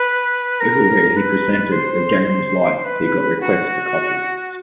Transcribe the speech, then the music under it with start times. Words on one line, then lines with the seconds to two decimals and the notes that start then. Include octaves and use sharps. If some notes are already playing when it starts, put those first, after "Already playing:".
Everywhere he presented "The Game of Life", he got requests for copies.
Already playing: B4
0.60 A#4
1.17 B4
1.72 C5
2.84 B4
3.41 F#4